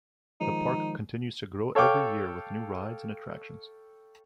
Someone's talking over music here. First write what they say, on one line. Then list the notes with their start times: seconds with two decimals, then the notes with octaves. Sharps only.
The park continues to grow every year with new rides and attractions.
0.41 D#3 F3 G#3 D#4
1.75 A4 C#5 F5 G5 D6